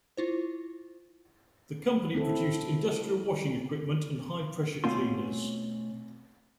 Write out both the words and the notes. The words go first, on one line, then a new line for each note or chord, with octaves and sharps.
The company produced industrial washing equipment and high pressure cleaners.
E4 F4 C5
C4 E4 A4
B2 A3 C4 C#4 F4 C6